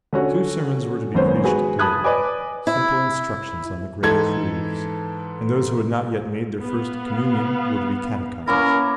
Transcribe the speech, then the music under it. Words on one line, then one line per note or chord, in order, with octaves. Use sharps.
Two sermons were to be preached daily--simple instructions on the great truths--and those who had not yet made their First Communion were to be catechized.
D3 C#4 F#4
G#1 F#2 B3 C#4 C5
G#3 F#4 G#4 B4
A5 B5 D#6 F#6 G#6
B4 D5 D#5 G#5 D6
E4
G#2 E3 A4 G#6
B3 F5
A#3 C#4 E4 A#4